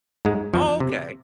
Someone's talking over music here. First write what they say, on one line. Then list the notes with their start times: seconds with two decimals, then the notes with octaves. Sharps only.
Oh, okay.
0.25 G#2 G#3
0.54 F2 F3
0.80 C3